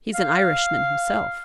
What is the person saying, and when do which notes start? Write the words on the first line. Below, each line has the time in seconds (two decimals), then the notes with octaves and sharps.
"He's an Irishman himself."
0.14 F5